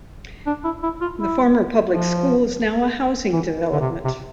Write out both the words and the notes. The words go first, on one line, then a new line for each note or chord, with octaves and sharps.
The former public school is now a housing development.
D4
E4
E4
F4
E4
F3
E3
D3
C3
C3